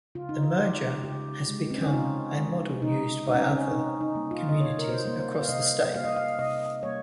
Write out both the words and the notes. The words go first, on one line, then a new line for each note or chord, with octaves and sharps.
The merger has become a model used by other communities across the state.
C#3 F4
D#4
F4
G#3 G4
C#3 G4
G#3
C4
C#4
D#4
C#3 F4
G#3
C#3 D#4
G#3 D#4
C#4
C4
C#4
C3 D#4
D#4
G3 A#3
F4
D#5
C3 C#5
A#4
C5
G3 A#3
C5
F5
C3 D#5
G3 A#3 F5
D#5
F5
C3 D#5
G3 A#3 C#5